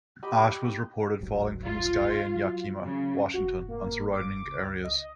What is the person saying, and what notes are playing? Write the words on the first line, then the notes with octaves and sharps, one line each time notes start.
Ash was reported falling from the sky in Yakima, Washington, and surrounding areas.
G4 D#5 B5
D1 G1 F#3
F4
F#3
C#3
F1 G#2 F#4
A#3
D6
C#2
D#5